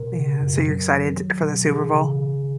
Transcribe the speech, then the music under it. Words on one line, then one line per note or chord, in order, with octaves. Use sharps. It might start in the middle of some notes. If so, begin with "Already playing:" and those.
Yeah. So you're excited for the Super Bowl?
Already playing: B2 A#4
C#3
F#2
F#3
D#3
F#3
B2
E3 G#4
C#3
D#3